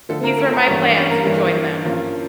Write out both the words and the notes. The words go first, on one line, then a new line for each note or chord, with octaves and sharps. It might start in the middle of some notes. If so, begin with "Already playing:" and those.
these are my plans, you join them.
D3 F3 A3 A4
A#3 A#4
A3 A4
A#3 A#4
G2 E3 G3 A#3 C#4 C#5
D4 D5
C#4 C#5
A#3 A#4
G2 E3 G3 A#3 E4
G2 F3 A#3 C#4